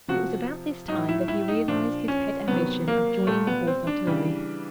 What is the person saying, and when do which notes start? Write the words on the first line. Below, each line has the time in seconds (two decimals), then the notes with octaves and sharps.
It was about this time that he realized his pet ambition of joining the Horse Artillery.
0.08 C3 F3 F#4
0.88 A2 F#3 D#4
1.09 E4
1.28 E4
1.48 D#4
1.68 A#2 F3 D4
2.08 C#4
2.48 C3 D#3 F#3 B3
2.88 A#3
3.27 A#2 G3 A3
3.47 B3
3.67 C4
3.87 D4
4.07 C#3 E3 G3